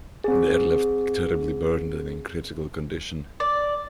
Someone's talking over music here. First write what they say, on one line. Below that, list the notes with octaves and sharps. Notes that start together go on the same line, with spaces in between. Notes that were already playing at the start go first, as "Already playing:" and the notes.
They are left terribly burned and in critical condition.
C4 G#4
D5